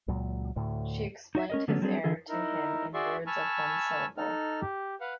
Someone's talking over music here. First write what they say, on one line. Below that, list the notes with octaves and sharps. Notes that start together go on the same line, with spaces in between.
She explained his error to him in words of one syllable.
C#2 A#2 F#3
D2 A2
D#4 F#4 D#5 E5
C#4 A#4 D#5
D3 F#3 A3 B3 C#4
F#3 G3 C4 D4 F#4 G#4
D3 E3 F4 G#4 A4
D#4 E4 A#4
F#4 G#4 D5 E5 C6 C#6
G#5 A5 B5 C#6 E6 F6
D#4 A4 F6
G4
B4 F5 F#5